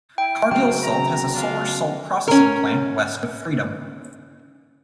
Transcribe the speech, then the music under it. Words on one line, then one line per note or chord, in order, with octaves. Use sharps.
Cargill Salt has a solar salt processing plant west of Freedom.
E4 G5
C#3 F#3 B3 C4 F5 G5
A#5
D4 F4 F5
C#4 A#4